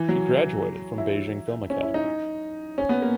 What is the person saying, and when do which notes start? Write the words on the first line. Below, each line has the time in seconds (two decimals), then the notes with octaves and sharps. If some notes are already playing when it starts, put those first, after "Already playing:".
She graduated from Beijing Film Academy.
Already playing: E3
0.09 F#3
0.98 E4
1.70 C#4
1.83 E4
1.94 D#4
2.78 C#4
2.89 B3
3.02 A#3